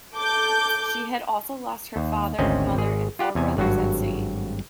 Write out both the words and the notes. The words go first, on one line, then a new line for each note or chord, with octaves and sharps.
She had also lost her father, mother and four brothers at sea.
A4 D6 G6
D#2
G#1 D2 C4 C#4 D#5
G#1 G#4
F4 G4 F#5
E2 C3 G#5
G#1 G2 F#3 F#4